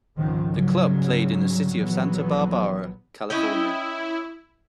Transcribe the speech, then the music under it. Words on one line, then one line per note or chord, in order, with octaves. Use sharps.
The club played in the city of Santa Barbara, California.
G#1 C#2 G#2 D#3 F3
G#2 C#3 F#3 G3
A#1 E3 F#3 B3
C#4 E4 D#5 G5